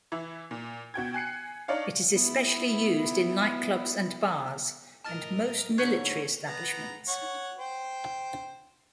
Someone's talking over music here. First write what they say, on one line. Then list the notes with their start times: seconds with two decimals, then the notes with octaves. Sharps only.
It is especially used in nightclubs and bars, and most military establishments.
0.12 E3 E4
0.51 A#2
0.94 B2 F#4 G5 G#6
1.14 G#5 F#6 C7 C#7
1.68 D4 D#4 C#5 D5 F5
2.11 B3 E4
5.04 A2 A#4 D#5 A5 F6 A6
5.78 G#2 D3 C4 C#5 F#6 G6 C7
6.46 B3 A#5
7.08 C#5 F#5
7.59 C5 G5